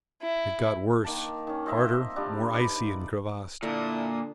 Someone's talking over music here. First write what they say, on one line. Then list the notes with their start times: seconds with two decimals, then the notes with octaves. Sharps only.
It got worse, harder, more icy and crevassed.
0.22 E4
1.04 D#3 A#3 A5
1.47 D#3 C#4
1.66 C4 F4 D#5 E5
2.16 F3 G3 D4
2.54 D#4 B4 D5
3.63 A#2 D3 D4 E4 D#6